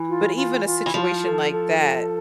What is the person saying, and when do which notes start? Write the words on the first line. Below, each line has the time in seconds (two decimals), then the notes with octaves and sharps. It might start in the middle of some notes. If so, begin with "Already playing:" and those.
but even a situation like that,
Already playing: E3
0.09 F4
0.37 F4
0.65 F4
0.86 E3
0.94 F3 F4
1.22 A4
1.50 A4
1.78 A4